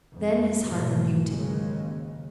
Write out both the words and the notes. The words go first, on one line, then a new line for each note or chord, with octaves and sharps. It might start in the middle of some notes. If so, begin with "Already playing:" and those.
Then his heart rebuked him.
F2
G#2 B2 E3 F#3 A3 A#3
F#1 D#2 C#3 G#3